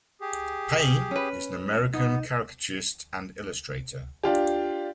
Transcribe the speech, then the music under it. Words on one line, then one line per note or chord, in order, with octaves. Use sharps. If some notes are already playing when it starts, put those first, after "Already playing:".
Payne, is an American caricaturist and illustrator.
G4 G#4
C#4 B4
B3 D#4
D4 F4 G4